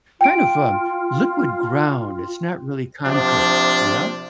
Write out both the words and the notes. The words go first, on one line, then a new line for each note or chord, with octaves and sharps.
kind of, um, liquid ground, it's not really concrete, you know?
F4 G5 D7
C3 F3 D4